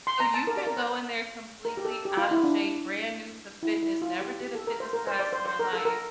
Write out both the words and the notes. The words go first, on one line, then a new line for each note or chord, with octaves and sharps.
So, you can go in there completely outta shape, brand new to fitness, never did a fitness class in your life,
C6
A#5
A5
A#4
D5
A#4
C5
A#4
G4
A4
G4
F4
E4
D4
E4
E4
F4
G4
G4
A4
A#4
C5
A#4
C5
D5
C5
C5
A#4
A4
A#4